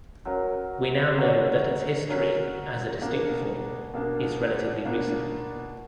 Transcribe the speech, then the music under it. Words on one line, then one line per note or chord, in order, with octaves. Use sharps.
We now know that its history as a distinct form is relatively recent.
F#3 C#4 F#4 A#4
F#3 C#4 F#4 A#4
F#3 C#4 F#4 A#4
B2 A#3 D4
B2 A#3 D4
B2 A#3 D4